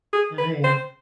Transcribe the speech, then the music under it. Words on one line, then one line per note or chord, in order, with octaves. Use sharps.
Oh, yeah.
G#4
B4
C5